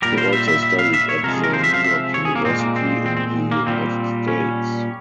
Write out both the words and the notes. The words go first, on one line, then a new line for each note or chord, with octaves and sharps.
He also studied at the New York University in the United States.
A#2 G3 A#4
C5
E5
E5
E5
F5
E5
C#5
C3 F3 G#3 A#4
G#4
A#4
C5
E5
F5
E5
C#5
G#4
A#3
A#2 G#3 C4
A#3
C4
C4
C4
A#3
A#2 G3 C4
C#4